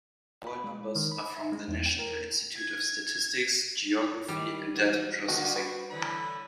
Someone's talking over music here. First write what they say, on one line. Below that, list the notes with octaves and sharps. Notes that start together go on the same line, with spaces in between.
All numbers are from the National Institute of Statistics, Geography, and Data Processing.
B5
G#3
D#3
B5
E5
G#3
E2
G5
A#4
G#6
D#3 G3
E3 F#4
D3 A#3 D4 F4 F#4
B4 C5
A2 D3 E3 B5